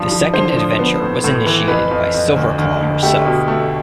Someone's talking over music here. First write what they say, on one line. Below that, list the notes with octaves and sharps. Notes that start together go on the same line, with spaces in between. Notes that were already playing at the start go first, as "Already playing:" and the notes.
The second adventure was initiated by Silverclaw herself.
Already playing: G2 F3
F3
D3 C5
F3
B3
A2
A2
E3
F2 B4
F2
F2
D2
D2
D2
A3 G4
B2
A3